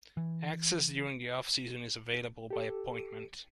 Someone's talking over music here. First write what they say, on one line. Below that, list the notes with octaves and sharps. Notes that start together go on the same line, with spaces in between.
Access during the off-season is available by appointment.
E3
G4 A4